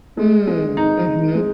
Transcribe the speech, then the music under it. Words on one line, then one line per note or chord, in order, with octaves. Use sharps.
Mm, mhm.
G#3
G#3
D#4
D#4
G#3